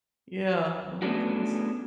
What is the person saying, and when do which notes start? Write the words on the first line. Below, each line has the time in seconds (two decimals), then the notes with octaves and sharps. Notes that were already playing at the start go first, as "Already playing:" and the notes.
Yeah, oh my goodness.
1.02 A3 B3 C#4 D4 F#4